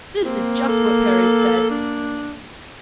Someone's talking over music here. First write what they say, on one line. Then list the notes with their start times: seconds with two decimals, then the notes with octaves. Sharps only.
This is just what Perry said.
0.25 A#3 C4
0.68 A4
1.70 D4